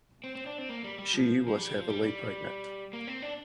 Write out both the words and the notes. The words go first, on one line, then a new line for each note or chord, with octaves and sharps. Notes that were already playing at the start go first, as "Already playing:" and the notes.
She was heavily pregnant.
C4
C4
D4
C4
A#3
G3
G3
F3
F3
G3
F3
G3
G3
A#3
C4
D4